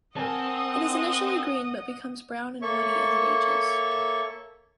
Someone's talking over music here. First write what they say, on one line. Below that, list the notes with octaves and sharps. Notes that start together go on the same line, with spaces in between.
It is initially green but becomes brown and woody as it ages.
C4 A#4 D#5 F#5 G#5 A5 D#6
A#3 A4 C#5 E5 C#6